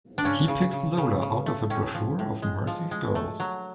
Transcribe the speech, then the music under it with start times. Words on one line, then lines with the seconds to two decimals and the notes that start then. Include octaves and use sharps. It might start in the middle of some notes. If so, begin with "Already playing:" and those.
He picks Lola out of a brochure of Mercy's girls.
0.18 D4
0.24 C#3 C#4
0.48 C#3
0.73 C#3
0.97 C#3
1.22 C#3
1.46 A3
1.70 A2 C#4
1.94 F3
2.19 A2
2.42 G#3
2.67 F3
2.91 G#3
3.15 A3
3.40 F#3